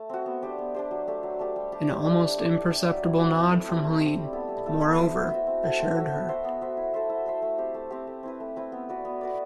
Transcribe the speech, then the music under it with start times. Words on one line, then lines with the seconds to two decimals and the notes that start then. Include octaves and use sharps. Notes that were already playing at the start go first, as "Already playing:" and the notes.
An almost imperceptible nod from Helene, moreover, assured her.
Already playing: A3
0.10 C4 F#4
0.26 B3
0.42 D4 G4 C5
0.58 B3
0.75 D4 G4 C5
0.91 F#3
1.07 A3 D4 G4
1.23 F#3
1.39 A3 D4 G4
1.56 G3
1.72 D4 G4
1.89 G3
2.05 D4 G4
2.21 D4
2.38 G4 D5
2.54 D4
2.70 G4 D5
2.87 F#3
3.03 C4 E4
3.19 F#3
3.35 C4 E4
3.52 A3
3.68 C4 G4
3.84 A3
4.00 C4 G4
4.17 G3
4.33 B3 E4 A4
4.49 G3
4.66 B3 E4 A4
4.82 B3
4.98 F#4 C5 E5
5.14 B3
5.31 F#4 C5 E5
5.47 C4
5.63 F#4 A4 E5
5.79 C4
5.96 F#4 A4 E5
6.12 B3
6.29 F#4 C5 E5
6.44 B3
6.61 F#4 C5 E5
6.77 E4
6.93 A4 C5 E5
7.10 E4
7.26 A4 C5 E5
7.42 A3
7.58 C4 G4
7.74 A3
7.91 C4 G4
8.07 A3
8.23 C4 E4 B4
8.40 A3
8.56 C4 E4 B4
8.72 B3
8.89 F#4 B4 D5
9.05 B3
9.21 F#4 B4 D5